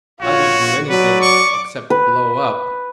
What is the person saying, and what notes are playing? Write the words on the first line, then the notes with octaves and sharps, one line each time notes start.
"I didn't do anything--except blow up."
A#1 F4 F#4 C#5
F#3 B4 D5
C#6 D6
B4